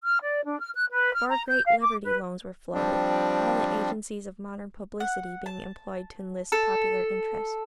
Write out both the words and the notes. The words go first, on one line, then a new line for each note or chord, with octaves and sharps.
Four great Liberty Loans were floated, all the agencies of modern publicity being employed to enlist popular interest.
F6
D5
D4
F6
F#6
B4
F6
A#5
G6
F5
D6
B4
F3 G3 C4 D4
F#5
A5
A4